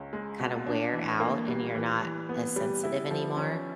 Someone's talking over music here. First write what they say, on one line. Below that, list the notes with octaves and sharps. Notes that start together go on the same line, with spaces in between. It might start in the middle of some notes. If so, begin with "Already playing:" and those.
kinda wear out and you're not as sensitive anymore.
Already playing: C#2 C#4
G#3
B2
D4
E3
A#3
G3
E3
E3
B3
G3
E4
F3
C#4